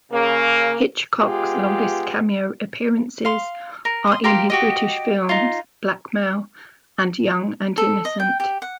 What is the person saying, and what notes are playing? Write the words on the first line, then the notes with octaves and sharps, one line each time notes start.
Hitchcock's longest cameo appearances are in his British films "Blackmail" and "Young and Innocent".
C#3 A#3
G#3 B3 F4 G4
F5 C6
A#4
C6 D#6
G4 A#4 F5 C6
F#4 G4 D#5
D#4 F4
A4
D#5
G5
G4
F#5